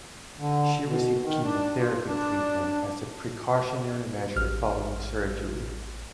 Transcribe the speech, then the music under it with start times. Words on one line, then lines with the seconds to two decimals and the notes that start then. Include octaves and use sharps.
She received chemotherapy treatment as a precautionary measure following surgery.
0.39 D3
0.86 B2
1.23 D#3
1.43 D4
1.79 F4
2.07 D4
4.36 A1 F6